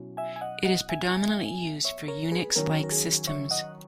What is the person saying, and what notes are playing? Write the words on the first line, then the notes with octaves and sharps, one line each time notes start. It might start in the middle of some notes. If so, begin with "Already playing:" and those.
It is predominantly used for Unix-like systems.
Already playing: B2 F#3 C#4 E4
E5 G#5
G#5
D#5 F#5
D#5 F#5
E5 G#5
C#5 E5
A#4 C#5
G#4 B4
D#3 F#3 C#4 F#4 A#4
A#4
G#4
C#5 E5
D#5 F#5